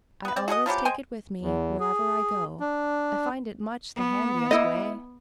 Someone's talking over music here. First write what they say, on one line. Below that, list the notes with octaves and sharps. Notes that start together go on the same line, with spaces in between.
"I always take it with me wherever I go; I find it much the handiest way."
B3 B4
C4 D5
F#4 G#4 A4 D#5
F3 F#3 B3 G4
G#3 C5 G5 G#5
E2
G#4
D4
B3
E4 D#5